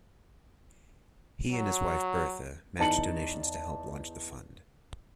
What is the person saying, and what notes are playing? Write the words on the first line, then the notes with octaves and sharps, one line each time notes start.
He and his wife, Bertha, matched donations to help launch the fund.
F#3
E2 D#4 A5 C#7 F#7